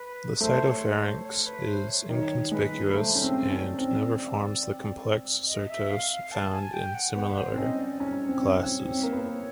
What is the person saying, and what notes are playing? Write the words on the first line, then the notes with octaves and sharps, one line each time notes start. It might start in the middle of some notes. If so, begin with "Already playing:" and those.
The cytopharynx is inconspicuous and never forms the complex cyrtos found in similar classes.
Already playing: B4
A3 C5
C#5
C5
C#5
B4
C5
C#5
D#3 C#5
G#3 B4
A3 C5
C#4
C4 C5
C#4 D5
C4
D#5
E5
F5
F5
A5
G#5
G5
F#5
B3 F#5
C5
C4
C#4 D#5
D5
C#4 C#5
C4
C#5
C4
C4 C#5
A#3
B3